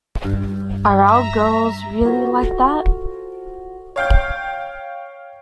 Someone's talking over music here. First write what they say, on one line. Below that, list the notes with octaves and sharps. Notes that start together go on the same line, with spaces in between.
Are our girls really like that?
G2
E5 A#5
F4 F#4 A4 C5
C#5 F5 G5 G6